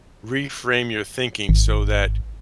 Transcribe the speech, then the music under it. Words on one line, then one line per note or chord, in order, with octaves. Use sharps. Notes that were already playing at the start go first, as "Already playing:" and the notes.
reframe your thinking so that
G#1